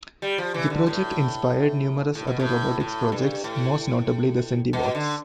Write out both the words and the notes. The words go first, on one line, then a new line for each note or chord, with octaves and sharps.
The project inspired numerous other robotics projects, most notably the Centibots.
G3
F3
E3
D3
A2
A2
B2
A2
A2
G2
A2
B2
D3